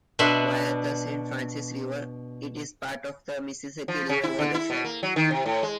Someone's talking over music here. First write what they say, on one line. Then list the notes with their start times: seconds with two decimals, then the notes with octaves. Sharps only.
Via the Saint Francis River, it is part of the Mississippi River watershed.
0.19 B2 B3 D4 E5 C6
3.88 F3
4.09 C#3
4.24 E4
4.39 D3
4.54 E4
4.70 B2
4.84 A#3
5.03 F#3
5.16 D#3
5.31 C3
5.46 A2
5.63 G#3